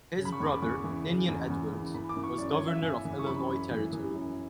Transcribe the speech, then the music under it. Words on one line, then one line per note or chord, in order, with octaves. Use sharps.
His brother Ninian Edwards was Governor of Illinois Territory.
C#3
B5
C#6
E2
D6
E2 C#6
E3
C#3
E2
E2
E3
E3 B5
D6
E3
C#6
F#2 D5
C#5
F#2
E5
E3 G#5
E3
C#6
F#2 B5
F#2
E3
E3
F#2